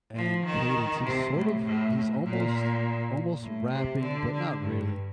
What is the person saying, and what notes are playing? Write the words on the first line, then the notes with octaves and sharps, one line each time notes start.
and cadence, he's sort of he's almost almost rapping, but not really.
F3
D#3
C3
A2
A2
A2
A#2
A2
C3
D3
D3
G2